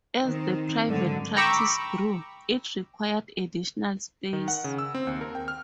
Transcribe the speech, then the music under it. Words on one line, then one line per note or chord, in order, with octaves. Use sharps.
As the private practice grew, it required additional space.
D#3 C4
G#2 D3 F#3
G5 A#5 B5 C#6 D6 E6
D#3
F#5
C#3
E6
C4
D#2
A#4
G5
F6